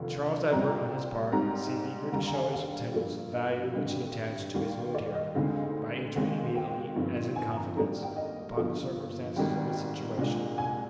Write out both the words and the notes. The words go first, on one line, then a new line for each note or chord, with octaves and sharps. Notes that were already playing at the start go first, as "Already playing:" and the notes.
Charles Edward, on his part, seemed eager to show his attendants the value which he attached to his new adherent, by entering immediately, as in confidence, upon the circumstances of his situation.
Already playing: F1 D#2 D3 F3
C2 A#2 G3 C4 A#5
G#2 G3 C4 D#4 A#5
D#2 D3 G3 A#5
A#5
G#5
F5
G2 F3 A#3
D#5
G#1 G2 D3 G3
D#2 D#3 G3
D5
D#5
D2 D3 G#3 C4 D#4 F5
D#2 D#3 G#3 C4
G5
G1 G2 F3 C4 D#4
G#5
A#5
G#1 G#2 G3 A#3 D4 A#5
G5
D#5
G1 G2 F3 A#3
G#1 G#2 D#3 G3 G5
C2 A#2 G#3 D4
G#5